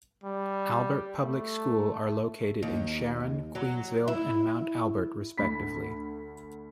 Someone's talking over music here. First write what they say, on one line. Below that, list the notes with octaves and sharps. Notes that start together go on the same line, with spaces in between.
Albert Public School are located in Sharon, Queensville and Mount Albert respectively.
G3
A3
D#2
F#3
E4
D2 B5 B6